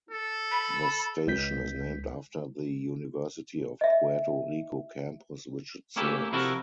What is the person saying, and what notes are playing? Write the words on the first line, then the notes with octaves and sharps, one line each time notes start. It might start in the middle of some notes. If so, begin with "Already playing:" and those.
The station is named after the University of Puerto Rico campus which it serves.
A4
B5
C#2 G#3 G6 B6
D#5 E5
A3 A#3 C#4 E4 G4 A4
C3 F3 E4 F#4 A4 A#4